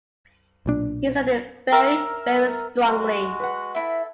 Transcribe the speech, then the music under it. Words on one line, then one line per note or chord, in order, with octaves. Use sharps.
He said it very, very strongly.
B1 A#2 D4
A#4 E5
G#3 F#4
B4 F#5
E4 A4 E5